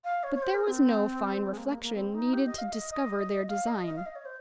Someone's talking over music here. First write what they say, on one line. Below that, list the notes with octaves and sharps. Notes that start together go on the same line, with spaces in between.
But there was no fine reflection needed to discover their design.
F5
C#5
C#5
C5
A#4
C4
G#3
A#3
G#3
A#3
A#3
C4
D#4
G4
D#5
F5
D#5
D#5
F5
D#5
D#5
F5
D#5
C#5
C5